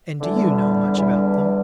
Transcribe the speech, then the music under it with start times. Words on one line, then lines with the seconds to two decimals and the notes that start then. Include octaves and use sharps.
"And do you know much about them?"
0.21 E2 D3 G3
0.97 E2 D3 G3